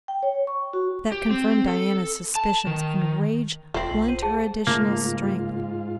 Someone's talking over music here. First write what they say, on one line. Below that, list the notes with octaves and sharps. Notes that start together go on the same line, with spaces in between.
That confirmed Diana's suspicions and rage lent her additional strength.
G5
C#5
C#6
F#4
G4
C4
A4
A5
D#3
E1 A3 C4 F4 C7 F#7
B1
C5 D#7
G#4 A5
G#2 C#3 A3 A#3 F4 A5